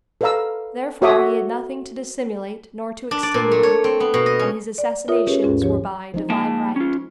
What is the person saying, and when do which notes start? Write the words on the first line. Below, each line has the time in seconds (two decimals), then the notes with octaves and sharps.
Therefore he had nothing to dissimulate nor to extenuate, and his assassinations were by divine right.
0.21 A4 B4 D5 F5 A#5 E6
1.02 F#4 A4 C#5 E5 D6 D#6
3.11 D4
3.23 D5
3.34 A#2
3.52 A3
3.63 C#5
3.84 C4
4.00 B3
4.14 B2
4.26 D#5
4.39 C#4
4.78 D5
5.08 F4 A#4 C#5 E5 D#6
5.27 C#4 G4 G#4 B4 C#5
5.42 D#2 G#2 C#4 F4 G#4 A4
5.62 F3 G4 G#4 C#5
6.14 F3 G#3 D#4
6.30 A#3 G5 A5
6.76 C#4 F4